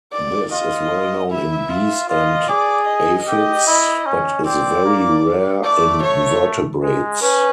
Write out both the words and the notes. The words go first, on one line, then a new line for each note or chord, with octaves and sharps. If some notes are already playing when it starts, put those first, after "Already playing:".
This is well known in bees and aphids, but is very rare in vertebrates.
D5
F4 D#5
E4 E5
F4
F4 D#5
G#4 D5
D#5
G4
E4
C#4
C4 D5
A#3
A3 D5
C#5
G#3
C#4 B4